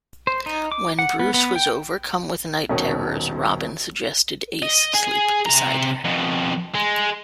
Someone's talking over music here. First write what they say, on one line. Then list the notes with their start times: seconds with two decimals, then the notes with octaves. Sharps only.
When Bruce was overcome with night terrors, Robin suggested Ace sleep beside him.
0.27 C5
0.46 D#4
0.72 D6
0.99 F#5
1.19 B3
1.34 B3
1.56 G5
2.69 D#1 B2 D#3 C#4 D#6
4.63 D#5
4.95 G#4 G#5
5.46 C3 A#5
6.04 F2 B2
6.75 G#3